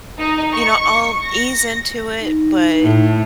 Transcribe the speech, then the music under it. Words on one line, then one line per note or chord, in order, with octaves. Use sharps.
you know, I'll ease into it, but
D#4
C#6
A#6
D#4
A2